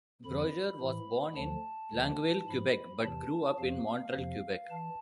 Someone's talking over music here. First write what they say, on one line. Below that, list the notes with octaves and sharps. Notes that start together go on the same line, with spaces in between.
Brodeur was born in Longueuil, Quebec, but grew up in Montreal, Quebec.
F2 D3 F3 B5
A2 E3
D2 D3 F3 A5
D2 D3 F3
G#2 F3 B5
E2 C3 E3 A5
F2 C3 F3 F5
F2 C3 F3
E3 A5